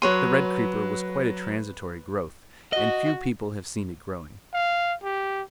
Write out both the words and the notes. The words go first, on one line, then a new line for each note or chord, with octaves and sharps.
The red creeper was quite a transitory growth, and few people have seen it growing.
F#3 B4 C#5 C6 D#7
F#4 D#5
F5
G4